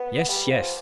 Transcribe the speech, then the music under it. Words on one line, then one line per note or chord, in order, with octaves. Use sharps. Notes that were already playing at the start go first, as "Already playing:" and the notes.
Yes! yes!
Already playing: B3
G3
F3